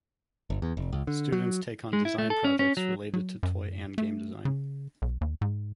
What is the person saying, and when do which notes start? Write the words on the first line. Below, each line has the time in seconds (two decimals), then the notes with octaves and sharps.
Students take on design projects related to toy and game design.
0.50 G1
0.62 E2
0.77 F1
0.93 C#2
1.07 D3
1.32 F#3
1.93 G#3
2.05 E4
2.18 A3
2.30 A4
2.44 C#4
2.59 C#4
2.77 F#3
3.14 F#3
3.43 F#2
3.98 A3
4.45 C#3
5.02 B1
5.21 D#2
5.41 G#2